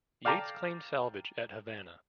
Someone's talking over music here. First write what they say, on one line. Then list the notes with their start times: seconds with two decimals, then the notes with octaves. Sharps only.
Yates claimed salvage at Havana.
0.25 D5 F5 G5 A5 A#5 D6